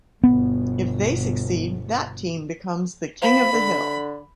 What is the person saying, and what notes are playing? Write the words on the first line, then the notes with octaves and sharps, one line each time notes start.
If they succeed, that team becomes The King of the Hill.
G1 B2 B3
F3 B5
D3